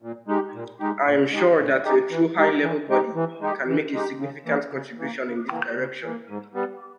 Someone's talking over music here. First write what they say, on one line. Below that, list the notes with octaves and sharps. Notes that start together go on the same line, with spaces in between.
I am sure that a true high-level body can make a significant contribution in this direction.
A#2
G#3 D#4 G4
A#2
G#3 D#4 G4
A#2
G#3 D#4 G4
A#2
G#3 D#4 G4
E3
G#3 D#4 G4
E3
G#3 D#4 G4
E3
G#3 D#4 G4
E3
G#3 D#4 G4
C#3
E3 A#3
C#3
E3 A#3
C#3
E3 A#3
C#3
E3 A#3
G#2
G3 B3